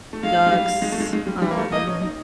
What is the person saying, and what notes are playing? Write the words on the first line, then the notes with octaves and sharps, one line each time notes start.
ducks, um,
A3
G#3 F5
G#3
G3
G#3
A3
G#3
G#3
G3
G3
A#3
A3
A#3 D#5
C#4
D#4